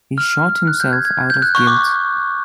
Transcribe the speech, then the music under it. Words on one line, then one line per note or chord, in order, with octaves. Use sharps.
He shot himself out of guilt.
F6
F#6
G6
G#6
G#6
G#6
G6
F#6
C#6
D6